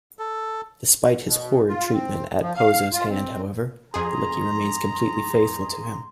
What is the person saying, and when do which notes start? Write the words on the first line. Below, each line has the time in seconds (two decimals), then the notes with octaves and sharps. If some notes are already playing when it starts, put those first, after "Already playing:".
Despite his horrid treatment at Pozzo's hand however, Lucky remains completely faithful to him.
0.19 A4
1.25 B2
1.68 F4
1.93 C4
2.41 F3
2.57 F5
2.93 F4
3.09 C4
3.94 F2 G#4 A#5 C6